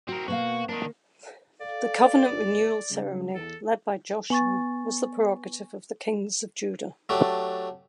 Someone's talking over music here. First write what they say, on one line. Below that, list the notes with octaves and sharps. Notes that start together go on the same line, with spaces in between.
The covenant-renewal ceremony led by Joshua was the prerogative of the kings of Judah.
C4 F#4 A#4
B2 A#3 F#4 F5
D#3 A#3 D4
A4 D5 F5
G1
C#3 G3
E2 A4
B3 G#5 C#6 A6
F#3 A3 D4 G4